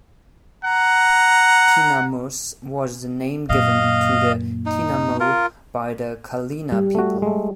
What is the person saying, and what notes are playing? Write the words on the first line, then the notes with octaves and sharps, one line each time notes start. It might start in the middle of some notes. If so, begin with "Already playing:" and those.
"Tinamus" was the name given to the tinamou by the Kalina people.
F#5 A#5
F#2 A#2 D#5 F5
D#4
F4 A#4
G3
A3 F#4
G#3 A3